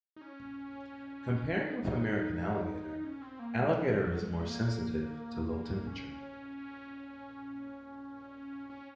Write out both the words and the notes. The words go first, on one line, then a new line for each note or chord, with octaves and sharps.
Comparing with American alligator, alligator is more sensitive to low temperature.
D#4
C#4
D#4
D#4
C#4
C4
A#3
G#3
F3
F#3
F#3
G#3
A#3
C#4
C#4